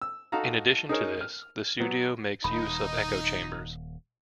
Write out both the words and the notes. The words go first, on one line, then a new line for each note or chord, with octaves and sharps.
In addition to this, the studio makes use of echo chambers.
E6
D#4 F#4 A4 F5 A#5
D#4 G#4 A#4 C#5
F6
F#3 B3
D#1 D#4 B5